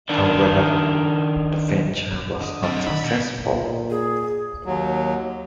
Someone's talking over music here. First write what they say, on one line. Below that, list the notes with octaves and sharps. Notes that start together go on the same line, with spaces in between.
However, the venture was not successful.
D#3 D4
D3 D#5 D#6
F#3 C4 D5 E6
D#3 D#4 B5
B2
A#2
G#4
D#2 F#3